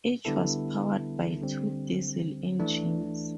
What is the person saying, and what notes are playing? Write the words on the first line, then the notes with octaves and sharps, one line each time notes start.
Each was powered by two diesel engines.
D3 G3 B3 E4 A4
D3 G3 C4
E3 A3 D4